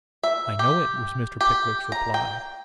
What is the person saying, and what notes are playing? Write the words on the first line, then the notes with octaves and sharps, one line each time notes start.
'I know it,' was Mr. Pickwick's reply.
E5
G4
G4
A#5
G5